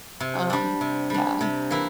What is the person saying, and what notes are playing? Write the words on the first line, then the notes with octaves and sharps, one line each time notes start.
um, yeah.
C3
G3 D4
C3
G3 D4
C3
E3 A#3 E4